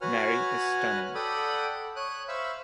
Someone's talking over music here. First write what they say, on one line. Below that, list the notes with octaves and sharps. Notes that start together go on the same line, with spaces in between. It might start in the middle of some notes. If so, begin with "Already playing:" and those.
Mary is stunning.
F#4 B4 C#5 F#5 G#5 F6
A4 D5 F#5 G5 B5 D#6
C#5 D#6 F#6
C5 E5 F5 B5 C#6 E6